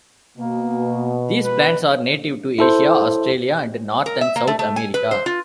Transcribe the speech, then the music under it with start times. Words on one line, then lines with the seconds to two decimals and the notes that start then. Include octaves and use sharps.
These plants are native to Asia, Australasia and North and South America.
0.37 B2 A#3
1.42 B4
2.59 E4 A4 C5
4.06 A#4
4.21 E5
4.36 A#3
4.47 A3
4.59 A3
4.76 G#5
4.94 B4
5.11 C5
5.26 F4